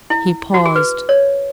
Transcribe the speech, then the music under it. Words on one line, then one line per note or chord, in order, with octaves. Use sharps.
He paused.
E4
F#4
G#4
B4
C#5